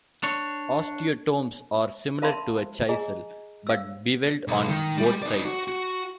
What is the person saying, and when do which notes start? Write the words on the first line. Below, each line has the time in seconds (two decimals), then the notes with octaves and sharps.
Osteotomes are similar to a chisel but bevelled on both sides.
0.23 D4 C#5
2.22 A#4 E5 F5 A5 B5 C6
2.89 G#4 D#5 G#5 A#5
3.67 F5 E6
4.48 B1
4.69 D#3
4.98 G3 G#3
5.23 D#4 D5
5.45 F#4
5.68 F#4